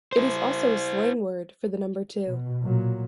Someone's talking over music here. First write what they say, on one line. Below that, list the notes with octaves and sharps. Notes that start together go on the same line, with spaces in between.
It is also a slang word for the number two.
E4 C5
B2
A#2 F#3